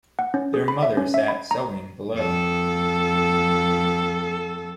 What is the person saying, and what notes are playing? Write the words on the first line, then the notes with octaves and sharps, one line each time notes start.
Their mother sat sewing below.
F#5
C#4
G#4
B5
E5
C#4
E5
B5
A#5
F2 A4